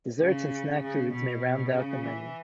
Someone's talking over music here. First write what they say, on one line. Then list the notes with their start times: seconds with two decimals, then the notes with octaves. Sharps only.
Desserts and snack foods may round out the menu.
0.19 C#3
0.81 C#3
1.11 B2
1.73 C#3
2.03 E3